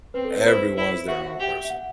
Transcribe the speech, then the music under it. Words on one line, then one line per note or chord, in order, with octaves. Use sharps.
Everyone's their own person.
C4 B4
A4
B4
E4 C5
E4
F#4 E5
F#5
E5
G4
E5
F#5